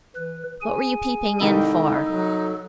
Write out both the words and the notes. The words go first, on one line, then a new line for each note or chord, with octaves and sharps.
"What were you peeping in for?"
E3 B4
G#4 G#5
C2 D#3 G#3 D#4 E4 G4 A4
F#3 A4